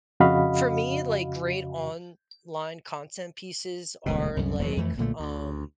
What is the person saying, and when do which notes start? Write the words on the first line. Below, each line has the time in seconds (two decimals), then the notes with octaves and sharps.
for me, like, great online content pieces are, like, um,
0.20 F2 C#3 F#4 D#5 F5 B5
4.06 D#1 C#2 B2
4.37 C2 F#2
4.59 D#1 D2 F3 F#3
4.77 F2 E3 A3
4.97 B1 A#2 D3 A3
5.20 D2